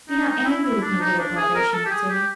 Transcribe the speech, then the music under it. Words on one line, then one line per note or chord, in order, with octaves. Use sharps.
"Be not angry with me, little brother," she answered.
D#4
D#4
D#4
E4
E4
D4
D#4
D4
G#4
A#4
A#4
A4
G4
G#4
G4